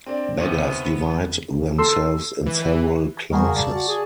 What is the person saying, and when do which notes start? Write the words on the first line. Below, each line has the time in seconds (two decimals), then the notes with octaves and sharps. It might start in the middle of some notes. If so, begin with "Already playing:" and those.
Beggars divide themselves in several classes.
0.06 C4 D4 D5
0.39 D#2 C3 B3
1.78 A4 C6 E6
2.46 E3
3.32 G3 F#4 G#4 A#4
3.45 C#3
3.56 D5 A5
3.74 F#4
3.88 G#4